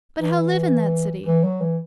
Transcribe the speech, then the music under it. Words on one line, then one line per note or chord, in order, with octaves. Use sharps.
But how live in that city?
E3
E3
F#3
E3